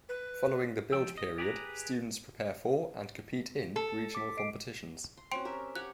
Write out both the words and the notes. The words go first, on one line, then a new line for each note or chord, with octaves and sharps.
Following the build period, students prepare for and compete in regional competitions.
B4
F3 G5 E6
D#5
G4 G#4 B4 C#5 A#5
A4
D6 B6
D#5 C7 D7
C6
C4 C#4 F#4 G5 C6 D7
G4 A#4 E5
G4 C#5 F#5 F#6